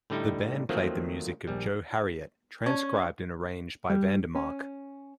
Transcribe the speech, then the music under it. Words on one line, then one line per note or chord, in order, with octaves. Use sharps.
The band played the music of Joe Harriott, transcribed and arranged by Vandermark.
A2 D3 G3 D#4 E4
D#3 F3 F#3 A3 A#3 C4
A#1 G3
C#4
G3
C#4